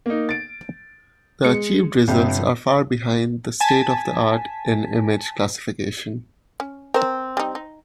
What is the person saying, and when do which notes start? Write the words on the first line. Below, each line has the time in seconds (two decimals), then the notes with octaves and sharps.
The achieved results are far behind the state-of-the-art in image classification.
0.06 A#3 D#4
0.29 A6 D7
1.44 G#3 C#7
2.08 G1 C3 G4
3.60 G#5 A5 B6
6.60 C#4
6.94 C4 A#4 C5
7.37 G3 D#4
7.55 D#4